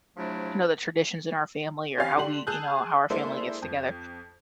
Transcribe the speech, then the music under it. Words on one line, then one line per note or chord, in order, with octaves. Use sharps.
you know, the traditions in our family or how we, you know, how our family gets together.
C3 F3 F#3 A3 D4 E4
C4 C#4 G4 C#5 F5 G#5
D3 D4 G4 C6 F#7
G#4 A5 E6 F#6 G6
G#3 A#3 D4 E4 A4 C5
F2